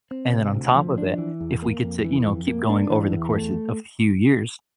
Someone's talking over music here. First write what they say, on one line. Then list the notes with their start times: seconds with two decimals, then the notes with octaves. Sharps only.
And then on top of it, if we get to, you know, keep going over the course of of a few years,
0.11 C4
0.33 C3
0.54 D2
0.75 F3
0.98 D4
1.18 E3
1.40 E2
1.62 A#3
1.84 F2
2.05 E3
2.26 F2
2.48 A#3
2.69 D4
2.90 E3
3.12 E2
3.33 A3